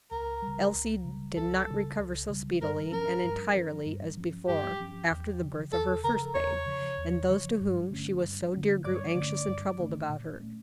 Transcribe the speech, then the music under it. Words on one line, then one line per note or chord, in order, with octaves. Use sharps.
Elsie did not recover so speedily and entirely as before, after the birth of her first babe; and those to whom she was so dear grew anxious and troubled about her.
C#2 A#4
G3
C#3
C#2
C#3 G3
C#2 A4
C#3 G3
C#2
C#3 G3
G2 A#4
F3 C#4 A#4
G2
F3 C#4
G2
F3 C#4
G2 G4
F3 C#4
E2
C#3 F3
E2 A4
C#3 F3 A#4
E2 C#5
C#3 F3
E2
C#3 F3
G2
D3 A3 C#4
G2
D3 A3 C#4
G2 D5
C#5
D5
D3 A3 C#4
G2
D3 A3 C#4
A#2
A3 C#4